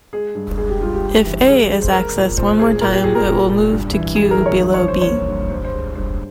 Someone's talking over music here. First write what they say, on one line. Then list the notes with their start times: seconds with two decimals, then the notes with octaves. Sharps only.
If "a" is accessed one more time it will move to Q below "b".
0.13 G#3 G#4
0.35 G2
0.57 G#3 G#4
0.69 G4
0.81 G2 F4
0.94 G4
1.02 G#3
1.25 E3
1.48 E3 G#4
1.69 G#3
1.82 C5
1.92 G#3 A#4
2.15 A#2
2.37 A#2 C5
2.59 G#3 G#4
2.81 A#2 A#4
2.93 G4
3.04 A#2 G#4
3.15 A#4
3.26 A#2
3.48 A#2
3.71 G2
3.93 E3
4.16 G3 G#4
4.31 A#4
4.38 E3
4.46 C#5
4.61 G2
4.74 C#5
4.83 F3
4.88 C5
5.01 A#3 C#5
5.28 G2
5.50 G2 C5
5.65 C5
5.72 G#3
5.95 G2 C5